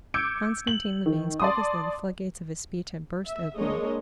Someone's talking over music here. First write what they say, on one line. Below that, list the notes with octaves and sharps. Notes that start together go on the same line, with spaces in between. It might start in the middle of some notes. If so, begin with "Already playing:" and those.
Konstantin Levin spoke as though the floodgates of his speech had burst open.
D6 E6 G6 G#6 C#7 D7
F#7
D#3
D5 A5 C6 D6 D#6
E5
G#3 A#3 D4 A#4 C#5 D#5